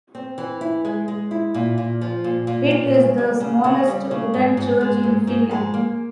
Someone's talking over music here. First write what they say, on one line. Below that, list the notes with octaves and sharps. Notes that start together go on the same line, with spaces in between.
It is the smallest wooden church in Finland.
C4
E3
E4
G#3
G#3
E4
A#2
A#2
F3
A#2
A#2
A#2
C#3
G3
C#3
C#3
G3
C#3
G#2
G#2
G#3
G#2
G#2
G#3
A#3